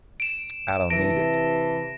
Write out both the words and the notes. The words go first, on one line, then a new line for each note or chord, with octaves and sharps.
I don't need it.
D7 E7
C3 E3 A5 A#6 D7